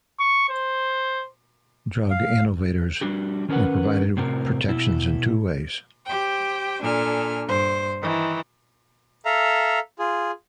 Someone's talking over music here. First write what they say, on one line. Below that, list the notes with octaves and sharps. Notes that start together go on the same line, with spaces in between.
Drug innovators were provided protections in two ways.
C#6
C5
F5
G3 D4 F#4 G4
D#3 C#4 A#4 B4 F#5
A2 C3 C4 F#4 A#4
B2 E4
G4 C5 G5
A#2 D4 A4 G#5 F6
G2 C5
D#3 E3
A4 E5 F5 A#5
F4 G#4